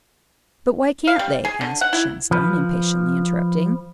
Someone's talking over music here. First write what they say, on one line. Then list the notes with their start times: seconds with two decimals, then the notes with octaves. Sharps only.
"But why can't they?" asked Shenstone, impatiently interrupting.
1.07 F5
1.19 G3
1.45 G#4
1.61 D3
1.81 F#5
1.93 E4
2.31 F3 B4